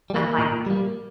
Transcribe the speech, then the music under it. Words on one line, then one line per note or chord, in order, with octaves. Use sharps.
I'm, like
G3
A#3
A#2
G3 A#3